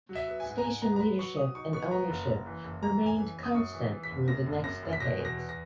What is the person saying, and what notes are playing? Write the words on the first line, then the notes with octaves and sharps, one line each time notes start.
Station leadership and ownership remained constant through the next decades.
F#3
E5
B3
G#5
G#2
A#5
G#2 G#5
B3 A#5
A#5
B3 B5
F#3 C#6
F#3 D#6
D#4 C#6
B3 C#6
B3 A#5
F#1
F#1
E3
F#1
E3 A#5
F#1
G#5
E3
F#1
D#6
F#2 C#6
E3
E3
B6
F#1
F#2 A#6
F#1
F#2 A#6
F#1
B6
B2 A#6
E2
A#6
B3
A#6